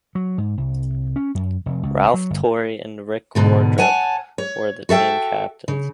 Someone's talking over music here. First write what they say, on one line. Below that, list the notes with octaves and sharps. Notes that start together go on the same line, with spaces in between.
Ralph Turri and Rick Wardrop were the team captains.
F#3
G#2
C2
C#4
F#2
F1
C#2
F#3
G1
G#2 B2 D3
C#5 F#5 G#5 A5
C#5
F#4 A4 E5 G5
C#3